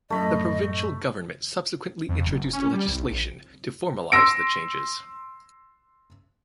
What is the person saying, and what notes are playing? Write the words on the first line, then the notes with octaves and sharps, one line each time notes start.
The provincial government subsequently introduced legislation to formalise the changes.
F#2 A2 A3 D#5 B5
F2
F#1
C#4
G3
C2
A#1
C6 E6 A#6 D7